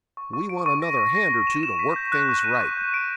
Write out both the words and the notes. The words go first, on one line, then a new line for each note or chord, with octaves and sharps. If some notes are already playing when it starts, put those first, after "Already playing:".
We want another hand or two to work things right.'
C#6
C#6
D7
C#6
A#6
A#6
A#6
A#6
E7
E7
B6
G6
F#6
C#6
D#7
C#6
G6
D7